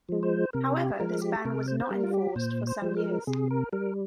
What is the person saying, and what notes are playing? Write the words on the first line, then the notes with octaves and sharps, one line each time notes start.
However, this ban was not enforced for some years.
F3 G#3
C5
C3 A#4
G4
F3 G#3 A#4
G4
C3 A#4
C5
C5
G3 A#4
F4
G4
A#2 C5
C5
F3 G#3
A#4
C3 G#4
A#4
G3 A#4